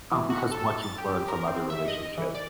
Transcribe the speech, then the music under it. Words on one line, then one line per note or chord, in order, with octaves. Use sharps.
Oh, because what you've learned from other relationships.
E3
F#4
A4
A6
G4
A#4
C4
E5
D#5
E3
D5